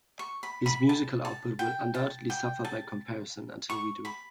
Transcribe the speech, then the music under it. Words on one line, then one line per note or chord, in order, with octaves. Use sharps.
His musical output will undoubtedly suffer by comparison until we do.
C#6
B5
B5
A5
A5
G5
A5
G5
A5
C#6
B5